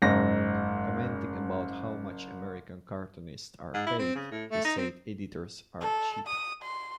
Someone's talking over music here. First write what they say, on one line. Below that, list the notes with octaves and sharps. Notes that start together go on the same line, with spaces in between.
Commenting about how much American cartoonists are paid, he said Editors are cheap.
F#1 G#2 A#6
G#2
E4
C4
C#3
A2
A3
D#4
C4
A4
D#6
C6